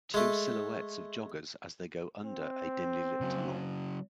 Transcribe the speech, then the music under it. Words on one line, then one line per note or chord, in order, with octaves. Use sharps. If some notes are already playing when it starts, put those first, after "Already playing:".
Two silhouettes of joggers as they go under a dimly lit tunnel.
G#3 A3
C4
C#3 F#3